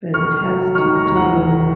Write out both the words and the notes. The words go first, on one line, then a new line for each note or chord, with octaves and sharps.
But it has to do
F1 C#6 F6
F#3
D#3 C#6 F6
A#5 C#6
D#2
F#5 A#5
F1